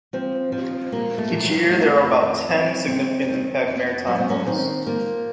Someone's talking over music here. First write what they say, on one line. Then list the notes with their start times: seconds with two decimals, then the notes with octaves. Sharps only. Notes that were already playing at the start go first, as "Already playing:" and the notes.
Each year there are about ten "significant impact" maritime lows.
0.13 F3 C4
0.52 F3
0.92 A#2 A#3
1.18 A3
1.31 A#2
1.44 F#3
1.70 F2 A3
2.10 D#3
2.49 F#3 C4
2.88 F2 C4
3.28 D#3 C4
3.68 F2
4.07 F#3 C#4
4.18 C4
4.30 C#4
4.46 D#3 C4
4.87 F3 A#3